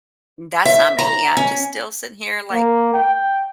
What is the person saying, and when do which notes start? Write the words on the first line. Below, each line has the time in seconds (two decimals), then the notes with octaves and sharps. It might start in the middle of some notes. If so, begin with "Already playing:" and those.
that's not me, I'm just still sitting here, like,
0.65 E5
0.99 A#5
1.37 C#4
2.53 A#3
2.94 G5